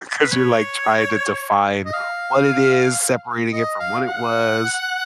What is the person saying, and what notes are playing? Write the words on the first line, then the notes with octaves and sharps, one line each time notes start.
'Cause you're like trying to define what it is, separating it from what it was.
B4
C#5
D#5
F5
D#5
F5
F#5